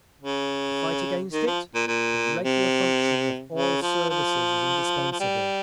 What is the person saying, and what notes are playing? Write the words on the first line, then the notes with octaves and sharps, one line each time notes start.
To fight against it, the regular functioning of all services is indispensable.
C#3
D#3
F3
A#2
A#2
C3
C#3
F3
F3
F3
G3